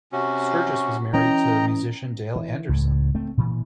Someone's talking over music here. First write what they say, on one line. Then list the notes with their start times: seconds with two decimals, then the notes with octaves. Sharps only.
Sturgess was married to musician Dale Anderson.
0.12 C3 C#4 F#4
1.13 E3 C#4 D#5 G5 A#5
2.36 E3
2.69 C#2 A2
3.15 A3 C4
3.37 A#2 E3